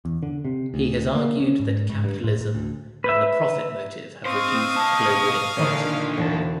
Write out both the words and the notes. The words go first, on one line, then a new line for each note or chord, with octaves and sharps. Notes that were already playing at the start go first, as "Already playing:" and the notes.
He has argued that capitalism and the profit motive have reduced global inequality.
E2
D3
C3
D2
A#3
C#4
G#2
G#2
G2
A2
A2
D2
B4 E5
C4 C5 D#5 F5 C6 C#6 D#6
B2 A5
A#2 D3 D#3 D4
E1 A5